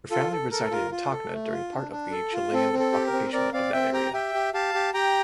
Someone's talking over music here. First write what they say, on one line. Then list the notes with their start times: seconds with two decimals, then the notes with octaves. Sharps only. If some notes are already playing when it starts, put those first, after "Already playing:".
Her family resided in Tacna during part of the Chilean occupation of that area.
0.11 F4 A4
0.32 A4
0.51 A4 A#4
0.71 F4 A#4
0.91 F4
1.12 A4
1.32 A3
1.52 F4
1.73 D4
1.92 D4
2.12 A4
2.33 F4
2.52 C4 A4
2.73 C4
2.79 A4
2.92 G4
3.07 A#4
3.13 C4
3.33 C4 A#4 D5
3.53 C4 D5 F5
3.73 C4 E5 G5
3.93 G4 G5 A#5
4.13 G4 E5 G5
4.34 G4
4.53 G4 F5 A5
4.74 G4
4.94 G4 G5 A#5